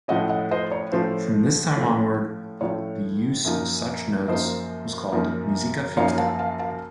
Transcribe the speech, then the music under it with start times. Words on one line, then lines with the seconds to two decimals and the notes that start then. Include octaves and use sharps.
From this time onward, the use of such notes was called musica ficta.
0.08 A2 F3 A3 C#4 D#5 F#5
0.29 D#5 F#5
0.51 C5 D#5
0.71 C#5
0.92 A2 F3 A3 C#4 C5
1.77 A2 F3 A3 C#4
2.61 A2 F3 A3 C#4 C#5
3.45 F#2 F3 A#3 D#4
4.28 F#2 F3 A#3 D#4 C5 D#5
5.12 F#2 F3 A#3 D#4
5.97 F#2 F3 A#3 D#4 C#5 F5
6.18 F5 A5
6.39 F5 A5
6.59 F5 A5